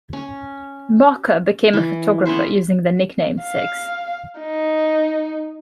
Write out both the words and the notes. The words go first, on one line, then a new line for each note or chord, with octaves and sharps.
Barker became a photographer, using the nickname 'Six'.
C#4
E3
B3 C#4 E4 C5
F5
D#4